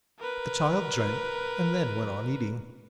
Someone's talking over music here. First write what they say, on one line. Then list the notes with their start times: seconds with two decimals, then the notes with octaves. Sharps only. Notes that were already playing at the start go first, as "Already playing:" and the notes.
The child drank, and then went on eating.
0.19 A#4 B4